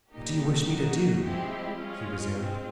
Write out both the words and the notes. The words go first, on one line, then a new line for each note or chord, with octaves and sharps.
"What do you wish me to do?" he resumed.
A#2 G3 A#3 D#4 G4
F#3 A#3 D#4 F#4
F3 G#3 C4 E4 G4
G#3 C#4 F4
G#3 C4 F4